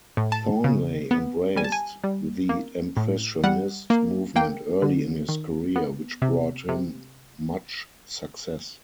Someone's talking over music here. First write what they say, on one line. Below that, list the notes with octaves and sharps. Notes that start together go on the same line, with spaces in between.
Thornley embraced the Impressionist movement early in his career, which brought him much success.
A2
A5
C#3
B3
G3 G#5
A5
G#5
G3
A#3
A2
G3 F#5
A#3
A#3 G5
D3
D#3
B3
C3
C3